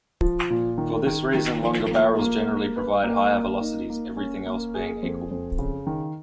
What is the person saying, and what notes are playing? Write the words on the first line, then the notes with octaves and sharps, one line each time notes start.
For this reason longer barrels generally provide higher velocities, everything else being equal.
F3
A#2
D#3
D#3
D#3
F3
A#3
A#3
A#3
B4
A#3
A#3
D#4
A#3
C#4
A#3
G#4
F2
F2
C#3
D#3